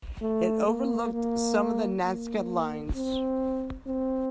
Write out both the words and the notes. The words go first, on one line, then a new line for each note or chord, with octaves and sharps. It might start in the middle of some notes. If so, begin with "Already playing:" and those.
It overlooked some of the Nazca lines.
A3
A#3
A#3
A#3
C4
C4